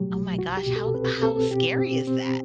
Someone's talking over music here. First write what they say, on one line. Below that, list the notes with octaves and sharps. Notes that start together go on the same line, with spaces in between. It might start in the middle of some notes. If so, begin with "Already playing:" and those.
Oh my gosh, how how scary is that?
Already playing: B2 F#3 A3 G4
C2
C2 F#4
G4
B2
A4
C4 B4
C4 A4
B2 G4
C4
C4